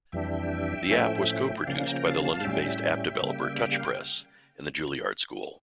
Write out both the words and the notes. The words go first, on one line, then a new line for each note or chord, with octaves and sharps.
The app was co-produced by the London-based app developer Touchpress and The Juilliard School.
F2 E3 G3 D4 E5 G5
A2 F3 A3 C#4
E5
C#3 F3 A#3 C#4 D5 F5
G5 A#5
F5 A5
F5 A5
A2 G3 C#4 E5 G5
C#3 G3 A#3
E5
F5
G5